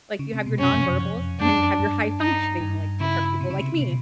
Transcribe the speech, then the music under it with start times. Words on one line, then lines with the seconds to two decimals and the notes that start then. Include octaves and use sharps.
Like you have your nonverbals, and then you have your high functioning, like which are people like me.
0.19 C#3
0.33 C3
0.46 B2
0.59 F#2 C#4
0.73 F2
0.86 F#2
1.00 F2
1.40 F#2 D4
1.80 G2
2.20 D#4
2.61 G2
3.00 C#3 E4
3.40 C3
3.50 C#3
3.60 C3
3.81 B2